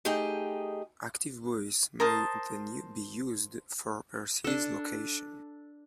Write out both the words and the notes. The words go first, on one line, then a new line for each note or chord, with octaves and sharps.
Active buoys may then be used for precise location.
A3 D#4 G4 G#4 D#5 G5
A#4 C5 A5 D#6
D4 A4